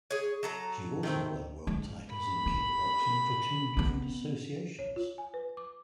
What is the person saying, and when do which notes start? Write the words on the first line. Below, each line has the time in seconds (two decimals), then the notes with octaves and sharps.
She also won world titles in kick boxing for two different associations.
0.11 G#4 C#5
0.43 F#3 A4 A#5
1.03 D#3 A3 C4
1.67 G#3
2.12 B5
2.46 C4
3.77 B3 C4
4.79 C#5
4.96 F4
5.18 G#5
5.34 B4
5.57 D6